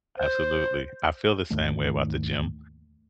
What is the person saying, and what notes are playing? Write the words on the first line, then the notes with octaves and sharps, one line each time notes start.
Absolutely. I feel the same way about the gym.
C5
D#2 G#2 D#3 A3